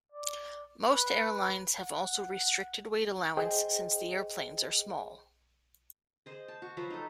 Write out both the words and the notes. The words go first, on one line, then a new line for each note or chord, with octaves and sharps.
Most airlines have also restricted weight allowance since the airplanes are small.
D5
B4
F#5
G#4 C5 D#5 G5
G#4 C5 D#5
A5
F#4
F3 F#3 B4 C5
D#4 A4